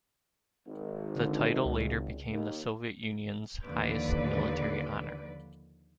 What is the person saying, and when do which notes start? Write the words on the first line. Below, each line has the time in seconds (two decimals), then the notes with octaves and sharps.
The title later became the Soviet Union's highest military honor.
0.66 G#1
1.16 D3
1.65 C#2
2.31 D#2
3.64 D#2 D3 F3 B4 D5